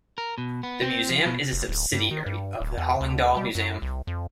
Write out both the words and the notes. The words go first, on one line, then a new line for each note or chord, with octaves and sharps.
The museum is a subsidiary of the Hallingdal Museum.
A#4
B2
B3
C4
F3
B2
F1
D1
G2
D#3
G2
D1
E2
D2
G3
F#2
C2
F2